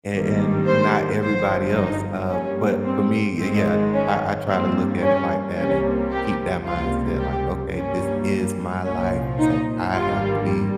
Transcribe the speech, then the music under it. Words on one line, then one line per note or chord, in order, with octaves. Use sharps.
and and not everybody else, uh, but, for me, y yeah, I I try to look at it like that and keep that mindset like, "Okay, this is my life so I have to be
G#1 G2 D#3 G3 A#3
C5
G1 G2 F3 C5
D#4
G2 G3 A#3 C#4
C4
G#1 G#2 D#3 G#3 C4
C#4
G2 G3 A#3 C4
C#4
C2 C3 G3 A#3 C#4
G4
C#2 C3 G3 A#3 F4
G4
G2 G3 A#3 C#4
C2 A#2 F3 C#4
D#4
G#1 G2 G3 A#3 F4